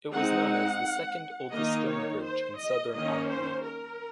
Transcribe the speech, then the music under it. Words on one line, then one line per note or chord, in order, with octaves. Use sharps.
It was known as "the Second Oldest Stone Bridge in Southern Anhui".
G#3 C4 D#4 F#5
D#3 A#3 D#4 D#5
C#5
C5
D#5
D#3 A#3 C#4 D#5
C5
A#4